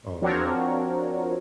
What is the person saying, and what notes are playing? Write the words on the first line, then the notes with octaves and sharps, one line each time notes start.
Oh, yep.
F3 C4 D4 F#4 A#4 C#5